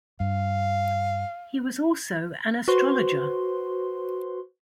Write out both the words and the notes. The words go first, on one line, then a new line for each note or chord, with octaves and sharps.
He was also an astrologer.
G2 F5
F#4 B4 C5 C6